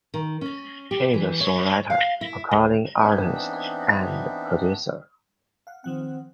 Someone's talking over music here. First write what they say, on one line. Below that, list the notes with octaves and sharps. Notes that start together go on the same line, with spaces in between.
He is a songwriter, recording artist, and producer.
D#3
C#4
G4
E3
C#5
F5
E4
D2
E3 B3 C4 D4 D#4 E5
F5 F#5
D#3 F3 C4 F#5